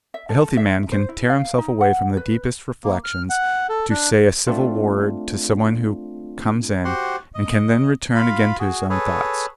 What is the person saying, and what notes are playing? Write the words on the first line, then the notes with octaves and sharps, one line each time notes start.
A healthy man can tear himself away from the deepest reflections to say a civil word to someone who comes in and can then return again to his own thoughts.
E5
A4
E5
C5
E4
F5
D#4
F#5
B4
A#3
F6
F#5
A4
D4
A3 C4 D4 F4
F#4 G4 C5 F#5 C6
D#5
F4 F5 B5
F#4 G#4
G#4 A4 B4 C#5